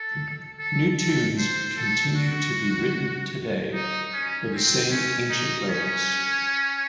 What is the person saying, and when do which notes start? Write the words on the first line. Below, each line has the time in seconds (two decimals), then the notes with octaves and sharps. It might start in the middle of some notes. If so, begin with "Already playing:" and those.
New tunes continue to be written today for the same ancient lyrics.
Already playing: A4
0.60 A4
0.99 A4
1.38 C5
1.78 A4
2.16 F#4
3.74 D#4
4.13 C#4
4.53 C4
4.91 C#4
5.30 D#4
5.69 C#4